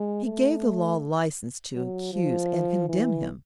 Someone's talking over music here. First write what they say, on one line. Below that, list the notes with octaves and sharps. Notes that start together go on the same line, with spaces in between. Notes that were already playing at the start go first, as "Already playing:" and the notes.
He gave the Law license to accuse and condemn Him.
Already playing: G#3
A3
F#3
F3
E3